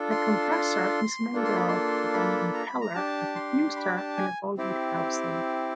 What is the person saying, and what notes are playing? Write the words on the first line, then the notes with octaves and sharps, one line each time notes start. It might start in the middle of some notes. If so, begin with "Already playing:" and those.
The compressor is made up of an impeller, a diffuser and a volute housing.
Already playing: D4 F4 A4
C6
C6
A#3 D4 F4 A4
C6
B5
C6
B5
A#5
B5
A#5
D4 G4 A5
C6
B5
A5
G#5
C4 E4 G4